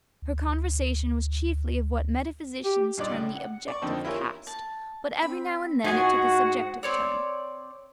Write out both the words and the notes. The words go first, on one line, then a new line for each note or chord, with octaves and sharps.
Her conversation was chiefly of what metaphysicians term the objective cast, but every now and then it took a subjective turn.
D2
G4
G2 A#2 D#4 D5
C#2
F#5
D5 C#6
F2 D3 D#3 F3
E4 F4 G4 A#4 C#5 G#5
A5
C4 B5
G#2 F4 F#4 G#4 F#5 G#5
C4 C#5 D5